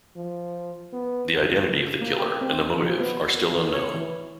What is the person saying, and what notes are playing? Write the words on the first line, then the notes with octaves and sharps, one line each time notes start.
The identity of the killer and the motive are still unknown.
F3
B3
F#1
A#3
G4
C4
F3
B3
E3
C#5
E3